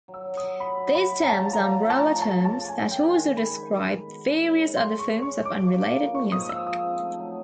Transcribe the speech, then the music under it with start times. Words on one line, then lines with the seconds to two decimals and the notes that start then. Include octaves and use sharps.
These terms are umbrella terms that also describe various other forms of unrelated music.
0.08 F#3
0.14 E6
0.26 F#3
0.37 D#6
0.43 F#3
0.60 E4 B5
0.78 F#3
0.95 F#3 B5
1.12 E4
1.23 A#5
1.29 C#3 A5
1.47 F3
1.53 A#5
1.64 A3
1.81 F3
1.90 A5
1.99 C#3 A#5
2.16 C#3
2.22 A5
2.33 F3
2.45 A5
2.51 C#3
2.68 G#3 G#5
2.85 D#3
2.91 G5
3.03 D#3
3.14 G#5
3.20 D#3
3.37 G#3 B5
3.55 D#3
3.72 D#3
3.90 D#3
4.07 B2
4.24 G#3
4.42 C#4
4.59 C#4
4.76 G#3 C6
4.93 C#4
4.99 C#6
5.11 C#4
5.22 C#6
5.28 E4
5.45 D#4 D6
5.63 F3
5.80 A#3
5.98 D#4
6.15 F3 C#6
6.32 G#2 D#6
6.49 F3 E6
6.67 F3 D#6
6.84 C4
7.01 A3
7.19 F#3